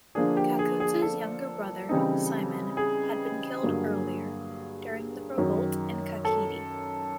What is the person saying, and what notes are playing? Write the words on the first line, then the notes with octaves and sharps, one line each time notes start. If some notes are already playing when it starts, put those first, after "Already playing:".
Kakutsa's younger brother, Simon, had been killed earlier, during the revolt in Kakheti.
D3 F3 A#3 D4 G#4
G4
G#4
G#4
A4
C#3 E3 G3 C4 D#4
G#4
G2 D3 F#3 A#3
F#2 D#3 F#3
A4